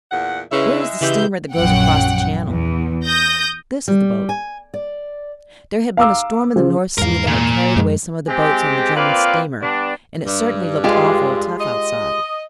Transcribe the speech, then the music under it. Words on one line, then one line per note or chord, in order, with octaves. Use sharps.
'Where is the steamer that goes across the Channel?' 'This is the boat.' There had been a storm in the North Sea that had carried away some of the boats on the German steamer, and it certainly looked awful tough outside.
E2 A#2 F#5
C#3 G#3 D#4 E4 B4 E5
C#3 E3 G4 G6
A#1 F#2 F#5 G5
E2
D#6 G6 A#6
G3
G#5
D5
F5 A#5 D6 E6
C#3 F3
E2 G#2 A#4 F5
A#2
F#2 F3 G#3
G#3 C4 G4
A#3 C4 F4 B4 D5 F5
G2 G3 B3 D4
G2
G#3 F4 G4
D#5